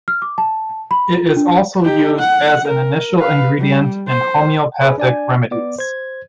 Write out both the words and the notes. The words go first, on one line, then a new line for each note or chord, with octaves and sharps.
It is also used as an initial ingredient in homeopathic remedies.
F6
D6
A5
B5
F4
D4
D#4 G4
F#5
A#4
B4 F5
G3
C5
G#4 B4 C#5 G#5 B5
D4 D5 G#5
B3 D5 D6
C5 G#6